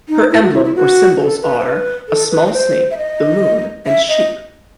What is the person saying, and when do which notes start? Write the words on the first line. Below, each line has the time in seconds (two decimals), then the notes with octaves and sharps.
Her emblem or symbols are, a small snake, the moon and sheep.
0.09 D#4
0.31 E4
0.42 F#4
0.53 E4
0.65 E4
0.75 F#4
1.20 A4
1.42 B4
1.60 C5
1.64 B4
2.09 A4
2.31 B4
2.47 D#5
2.53 C5
2.91 E5
2.98 D#5
3.86 E5
4.09 D#5